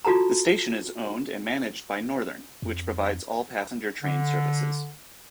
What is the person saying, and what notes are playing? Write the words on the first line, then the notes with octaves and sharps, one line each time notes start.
The station is owned and managed by Northern, which provides all passenger train services.
F4 F#4 A4 A5 A#5
F2
D3